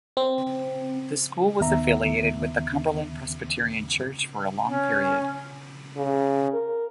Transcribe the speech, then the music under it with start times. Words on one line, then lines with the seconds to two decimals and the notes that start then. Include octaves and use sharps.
The school was affiliated with the Cumberland Presbyterian Church for a long period.
0.17 C4
1.60 D#2 D#3 B3 E5 A#5
4.65 C#4
5.97 C#3
6.53 A#4